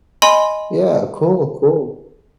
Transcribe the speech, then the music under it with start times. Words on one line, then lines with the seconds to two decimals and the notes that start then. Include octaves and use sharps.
Yeah, cool, cool.
0.22 D#5 G#5 B5 C6